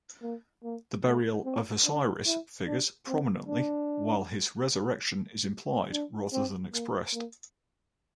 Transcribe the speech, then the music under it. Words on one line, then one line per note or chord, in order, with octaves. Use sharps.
The burial of Osiris figures prominently, while his resurrection is implied rather than expressed.
A#3
A#3
A3
C4
D4
E4
D4
C4
D4
D4
C4
A#3
A#3